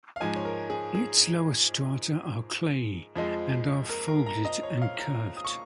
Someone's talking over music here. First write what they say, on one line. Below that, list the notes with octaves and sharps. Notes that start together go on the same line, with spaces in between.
Its lower strata are clayey, and are folded and curved.
F5
G#2 F3 G#3 G#5
C#5
A#4
G#4
G#4
F2 F3 G#3
A#4
A#4
A#5
D#5
C#5
F5
A#5
D#6
C#6